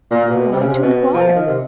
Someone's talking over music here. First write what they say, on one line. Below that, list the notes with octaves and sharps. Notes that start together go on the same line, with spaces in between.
"Why, to inquire."
A#2
A#2
B2
C3
C#3
C3
B2
F3
D#3
C3